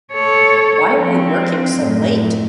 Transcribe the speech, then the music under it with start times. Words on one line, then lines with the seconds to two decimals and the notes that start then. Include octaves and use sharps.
Why are you working so late?
0.13 A4 C#5
0.96 F3 C4
1.76 F#2 A2